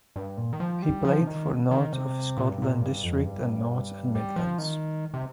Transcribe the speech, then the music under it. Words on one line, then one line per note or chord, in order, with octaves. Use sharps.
He played for North of Scotland District and North and Midlands.
G2
A#2
D#3
F3
G3
F3
C3
D#3
D#3
C3
A#2
G2
A#2
G2
F2
G2
G3
F3
D#3
C3